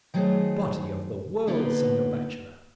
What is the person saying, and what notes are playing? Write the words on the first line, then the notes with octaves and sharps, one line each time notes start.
Body of the world, senor bachelor!
D#3 F#3 A3 G#4 C5
D3 A#3 B3 D#4 F4 B4